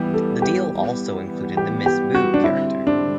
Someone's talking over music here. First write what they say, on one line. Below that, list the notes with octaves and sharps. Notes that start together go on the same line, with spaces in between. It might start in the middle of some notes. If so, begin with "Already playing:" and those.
The deal also included the Miss Boo character.
Already playing: E3 G3 B3 G4
A4
G4
E3 G3 B3
G4
G4
F#4
D4
D3 G3 C4 E4
D4